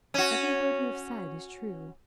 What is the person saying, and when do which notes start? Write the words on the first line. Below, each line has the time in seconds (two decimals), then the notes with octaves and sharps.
Every word you have said is true.
0.14 C#4 F#4